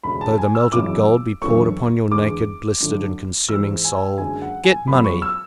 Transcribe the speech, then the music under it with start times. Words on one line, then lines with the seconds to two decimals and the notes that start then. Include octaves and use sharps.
Though the melted gold be poured upon your naked, blistered, and consuming soul--get money!
0.04 E1 D2 C#3 G#3 B5
0.21 A5
0.38 G#5
0.55 E6
0.73 G#1 F#2 C#3 E3 D6
1.41 F#1 E2 D3 F#3 A3 C#6
2.11 E2 D3 G#3 D6
2.80 F#2 D3 A3
3.49 G#2 E3 G#3 E6
3.84 G#5
4.18 F#1 F#2 D3 G#3 G#5
4.42 F#5
4.64 G#5
4.88 F#2 C#3 G#3 B3 B5
5.04 C#6
5.22 E6